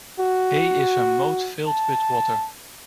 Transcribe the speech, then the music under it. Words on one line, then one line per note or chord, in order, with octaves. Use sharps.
A is a moat filled with water.
F#4
A5